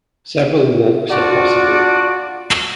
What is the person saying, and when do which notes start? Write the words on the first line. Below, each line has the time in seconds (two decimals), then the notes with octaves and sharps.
Several walks are possible.
1.10 D4 F4 F#4 D5 F#5